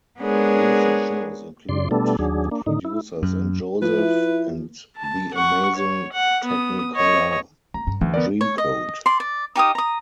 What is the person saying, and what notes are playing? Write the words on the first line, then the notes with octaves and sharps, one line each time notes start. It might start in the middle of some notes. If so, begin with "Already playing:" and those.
Recent shows include The Producers and Joseph and the Amazing Technicolor Dreamcoat.
G#3 B3 D4 G#4 A#4 C#5
F#2 C#3 D5 C6
B2 G3 A3 B3 D4 A4
D#2 F#3 D4 G#4
A#3 D4
A2 D3 D#3 D#4
E4
F#2
F3 E4 B4
A5
F#5 C#6
C#5
F#5
B3 D#6
C#5 D#5
A#3 A#5
G2
D2 D3 E3
B3 A#4 D5
C#5
D#5
D5 C6
D5
D#4 G4 F5 D#6
A#5 D#6